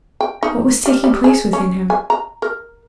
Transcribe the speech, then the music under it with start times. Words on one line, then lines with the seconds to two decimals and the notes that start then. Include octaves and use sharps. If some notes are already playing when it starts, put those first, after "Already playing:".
What was taking place within him?
0.20 G5
0.43 D#4
0.86 G3
1.04 G3
1.24 G#4
1.53 C#4
1.90 G#5
2.10 A#5
2.42 A#4